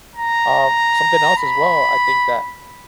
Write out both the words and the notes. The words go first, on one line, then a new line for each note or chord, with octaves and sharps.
Um, something else as well, I think that
A#5
B5